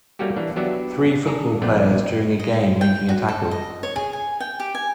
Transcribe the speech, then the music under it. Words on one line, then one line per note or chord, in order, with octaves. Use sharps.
Three football players during a game, making a tackle.
G3 A3 A#3 C#4 F#4 G4
E3 A#3 D4
F#3 B3 D4 F#4 G4 E5
G#4 A4 D5 A#5
A#1 A3 B3 C4 D5
D#5
G5
F#4
A4
D#5
C#5
G#4
G#5
G5
G4
G#5